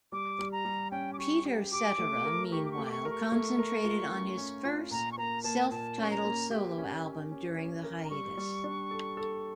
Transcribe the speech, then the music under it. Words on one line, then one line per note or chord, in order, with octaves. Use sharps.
Peter Cetera, meanwhile, concentrated on his first self-titled solo album during the hiatus.
G3 D6
G3
A#5
G3
C#4 G5
D6
G4 C#6
G4
G4 D6
A3
A#4
G4 C#6
D6
C#6
A3
D6
C#6
A#4
C#6
A3
A#4
F4
C#4
C#4
F4
A#2 A#5
C#6
A#3 A#5
A#3 A5
A#2 A5
C#4 C#6
A#5
A#3
G4
C#4
C#4
C#4
C#4
A#4
A#5
G3 C#6
G3
D4
A4
A4